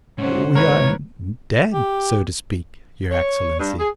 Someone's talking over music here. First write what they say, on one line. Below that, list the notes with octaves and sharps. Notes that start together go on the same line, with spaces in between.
"We are dead, so to speak, your Excellency."
G#2 C3 C#4 C5 F#5
G#2 C3 E3 A#4 B4 C#5
G4
C#5
G2
G#4